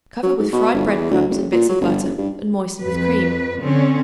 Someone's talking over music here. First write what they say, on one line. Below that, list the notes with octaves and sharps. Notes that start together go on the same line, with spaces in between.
Cover with fried bread-crumbs and bits of butter, and moisten with cream.
F#3
G#2
B2
G1
E2
D2
F#1
A#2
F#3
G1
F#1
G2
F2 B4
D3 C4 C#4